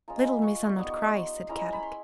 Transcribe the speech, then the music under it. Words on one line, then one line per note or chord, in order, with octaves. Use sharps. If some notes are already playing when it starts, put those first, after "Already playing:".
"Little Missa not cry," said Kadok.
G#3 C#4 F4 A#5
B5
C#6
C6
C#6
G3 B3 D#4 C#6
C#6
C#6
C6
G#3 C#4 E4 A#5
A#5
B5
C6